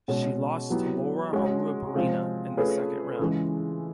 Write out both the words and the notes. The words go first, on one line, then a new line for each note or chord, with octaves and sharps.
She lost to Lara Arruabarrena in the second round.
B2 G#3 C#4 F#4
F#3 B3 E4 G4
G#3 C#4 F#4
C3 F3 G#3 C4 F4
A3 C#4 F4 G#4 B4
C#3 E3 G#3